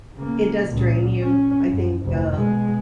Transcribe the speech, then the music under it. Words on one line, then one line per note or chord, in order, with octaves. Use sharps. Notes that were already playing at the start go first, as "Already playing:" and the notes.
It does drain you, I think, um,
C#3 A#3
C#2 A#2
C#4
F#2
F1 D2
B2 G#3